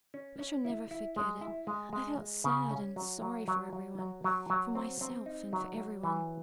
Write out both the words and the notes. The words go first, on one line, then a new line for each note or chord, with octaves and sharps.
I shall never forget it: I felt sad and sorry for everyone, for myself, and for everyone.
C#4
C#4
E4
E4
G#3
E4
G#3
G#3
G#3
C#3
C#4
F#3
F#3
F#3
F#3
F#3
F#3
F#3
C4
C4
D#4
F#3
F#3
E3